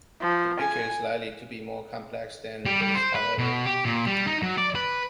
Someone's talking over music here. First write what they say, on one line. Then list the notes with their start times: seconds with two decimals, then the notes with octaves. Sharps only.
The picture is likely to be more complex than this, however.
0.21 F3
0.60 G#5
2.65 G3
2.82 G3
2.95 C5
3.15 B4
3.38 B2
3.65 G4
3.85 A#2
4.06 G3
4.27 D#4
4.43 F#3
4.58 D5
4.75 B4